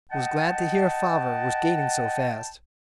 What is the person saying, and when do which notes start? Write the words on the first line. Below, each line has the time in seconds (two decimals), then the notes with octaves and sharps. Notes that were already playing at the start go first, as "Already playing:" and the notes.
Was glad to hear father was gaining so fast.
0.11 D#5 F#5 G5 A5